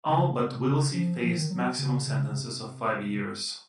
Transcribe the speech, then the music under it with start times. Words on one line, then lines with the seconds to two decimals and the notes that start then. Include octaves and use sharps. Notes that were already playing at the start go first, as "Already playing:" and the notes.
All but Willsey faced maximum sentences of five years.
0.09 C#3
0.38 C3
0.66 C#3
0.94 F3
1.23 F3
1.37 D#3
1.50 F#3
1.78 C#3
2.07 C#3
2.28 C#3
2.35 C3